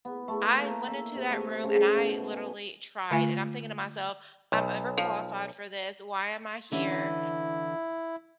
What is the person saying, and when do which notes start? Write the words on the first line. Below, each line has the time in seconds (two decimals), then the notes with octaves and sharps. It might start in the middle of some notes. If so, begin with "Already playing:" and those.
I went into that room, and I literally tried, and I'm thinking to myself, "I'm overqualified for this. Why am I here?"
0.05 B3
0.28 A3
0.58 A#3
0.88 E5
1.15 C3
1.30 A3
1.64 C#3
1.96 B2
2.32 G#5
3.11 D3 A3 F4 G#5
4.52 B1
4.98 F3
6.72 D3 E3 C#4 E4